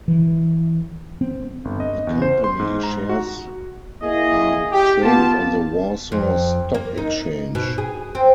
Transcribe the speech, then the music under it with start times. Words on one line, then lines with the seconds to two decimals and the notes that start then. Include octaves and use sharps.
The Company shares are traded on the Warsaw Stock Exchange.
0.08 E3
1.21 C4
1.65 G1
1.80 D#5
2.07 E2
2.22 C5
2.44 C6
2.59 G#2
2.83 A#5
3.09 F#4
4.03 A#3 E4 G#4 D#5
4.71 G4
5.03 B3 F4 A5
6.12 F2
6.74 A#3
6.98 D#4
7.55 B2
7.78 G#4
8.15 C4